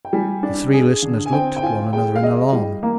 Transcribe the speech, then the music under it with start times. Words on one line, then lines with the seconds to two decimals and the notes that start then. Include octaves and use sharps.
The three listeners looked at one another in alarm.
0.05 G5
0.12 G3 G#5
0.43 D4
0.73 G#4
1.02 D3
1.26 G#5
1.33 C4 G5
1.56 G5
1.62 F4 G#5
1.93 G#3 G5
2.15 F5
2.22 G#3 D#5
2.53 G3
2.83 A#3